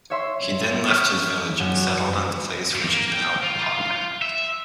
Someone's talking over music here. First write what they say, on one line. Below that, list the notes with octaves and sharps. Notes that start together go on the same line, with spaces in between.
He then left his village and settled in the place which is now Paga.
C#5 E5 C6
C#6 D#6 F6 B6
F#2
G2
A#3
G5
F4
F4
E5